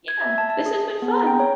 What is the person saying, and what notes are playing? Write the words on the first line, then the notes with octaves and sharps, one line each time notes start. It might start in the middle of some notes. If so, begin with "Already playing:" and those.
Yeah, this has been fun.
G#6
E5
A5
A5
G#4
G#4
B3
A#5
G5
C#5